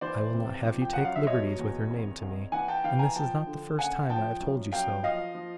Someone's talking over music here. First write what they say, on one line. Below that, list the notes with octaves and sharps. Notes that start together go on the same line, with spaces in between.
I will not have you take liberties with her name to me; and this is not the first time I have told you so.
E3 C5 D5
C3
F3
G5
F#2 F#5
F5
E5
B2 C#5 D#5
E2
C2
C2
E3 F#5 G#5
G5 A5
E3 F5 G5
G#5 A#5
F3 G5 A5
D3
C#3 F#5 G#5
F3 G5 A5
F#2
F#2 F5 G5
F3 D#5 F5
F3